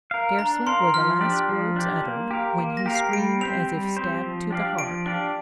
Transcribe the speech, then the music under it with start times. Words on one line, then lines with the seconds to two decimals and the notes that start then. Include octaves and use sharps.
Scarcely were the last words uttered when he screamed as if stabbed to the heart.
0.11 A#4 F5
0.39 D4 A#5
0.67 A#4 F5 C6
0.94 F3 F6
1.21 D4 G4 D5
1.49 F3
1.76 D4 G4 D5
2.03 A#3
2.31 G4 A#4 F5
2.59 A#3
2.77 A#6
2.86 G4 A#4 F5
2.96 C7
3.13 G3 D7
3.41 C4 G4 C5 F7
3.68 G3
3.97 C4 G4 C5
4.23 F3
4.51 D4 G4 D5 F5
4.78 F3 D7
5.06 D4 G4 D5 F5